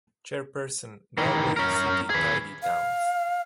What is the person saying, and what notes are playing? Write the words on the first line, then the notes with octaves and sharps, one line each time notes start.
Chairperson Galway City Tidy Towns.
D#3 E3
C#4 A#4
G#4 B4
F5